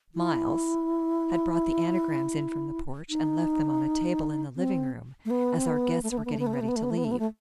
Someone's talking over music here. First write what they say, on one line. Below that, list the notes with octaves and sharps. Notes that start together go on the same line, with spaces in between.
Miles--had brought the anagrams in from the porch and left them on a table in the living room, as our guests were getting ready to leave.
E4
D#4
C4
A3
B3
C4
B3
A3
B3
A3
B3
A3
B3
A3
B3
A3
B3
A3
B3
A3
B3
A3
B3
A3